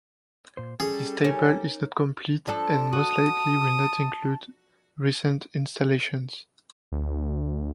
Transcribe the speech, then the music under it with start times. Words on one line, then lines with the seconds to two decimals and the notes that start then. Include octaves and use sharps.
This table is not complete and most likely will not include recent installations.
0.57 A#2 C5
0.80 G3 C#4 G#4 A4
1.24 C#4 D#4 A#4
2.47 F3 D4 A4 A5
2.93 F#4 D#6
6.92 D2